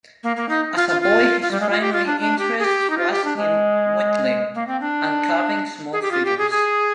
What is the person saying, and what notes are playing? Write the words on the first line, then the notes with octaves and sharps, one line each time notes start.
As a boy his primary interest was in whittling, and carving small figures.
A#3
A#3
D#4
F4
F4
F4
F4
G3
G#3
F4
G4
F4
D4
D4
G4
G#4
G4
D#4
F4
G4
D4
G#3
A#3
C4
D4
G#4
G4
F4
G4
G#4
G#4